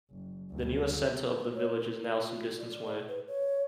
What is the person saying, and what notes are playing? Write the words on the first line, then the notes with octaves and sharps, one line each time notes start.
The newer centre of the village is now some distance away.
F#1
D2 G2
B4
C#5
E4
F4
D5
G#4
B4
C#5